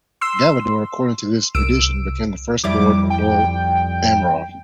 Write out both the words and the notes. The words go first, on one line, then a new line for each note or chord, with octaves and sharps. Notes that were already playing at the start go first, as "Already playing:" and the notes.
Galador, according to this tradition, became the first Lord of Dol Amroth.
C6 E6
C2 E6 D7
F2 G3 E4 D6
G5